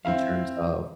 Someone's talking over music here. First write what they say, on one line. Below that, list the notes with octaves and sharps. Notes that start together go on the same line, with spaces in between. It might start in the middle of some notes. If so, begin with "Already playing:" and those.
in terms of,
C4 E4 F5